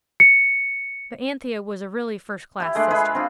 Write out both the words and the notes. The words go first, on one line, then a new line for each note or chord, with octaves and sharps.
But Anthea was a really first-class sister.
C#7
E4 G4
G#3 A3 D4
G#3 G#4 B4 B5
C4 D4 F4